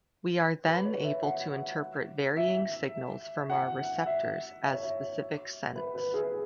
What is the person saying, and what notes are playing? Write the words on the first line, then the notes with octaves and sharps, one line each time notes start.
We are then able to interpret varying signals from our receptors as specific scents.
B4
C#5
E5
F#5
E5
F#5
E5
E5
C#5
E5
B4
B4
G#4